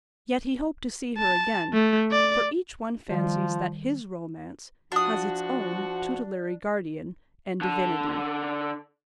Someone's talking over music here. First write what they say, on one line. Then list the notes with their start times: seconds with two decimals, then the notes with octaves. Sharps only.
Yet he hoped to see her again; for each one fancies that his romance has its own tutelary guardian and divinity.
1.18 A5
1.73 A3
2.12 D5
3.10 D#3 F3 G3 D5
4.92 F3 D4 F#4 D#6
7.61 D3 A5